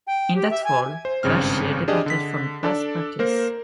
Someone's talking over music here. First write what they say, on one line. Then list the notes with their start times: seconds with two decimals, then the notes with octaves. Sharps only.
In that role, Bashir departed from past practice.
0.07 G5
0.35 G4
0.51 E5
0.64 G#5
1.05 C5
1.23 G#1 G2 C#3 C4 F6
1.88 D4 G4 G#4 D5 D#5
2.06 D3 B6
2.63 D4 A4 D5
3.19 A#3 A#4 C5